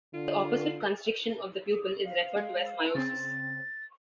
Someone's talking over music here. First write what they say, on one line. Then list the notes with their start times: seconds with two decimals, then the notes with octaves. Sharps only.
The opposite, constriction of the pupil, is referred to as miosis.
0.14 D3 F4
2.06 F5
2.36 G#3
2.95 C#3 C4 A6